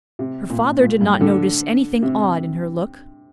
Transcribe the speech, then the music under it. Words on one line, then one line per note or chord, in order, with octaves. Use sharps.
Her father did not notice anything odd in her look.
C3
A#2
A#2
G2
D3
C3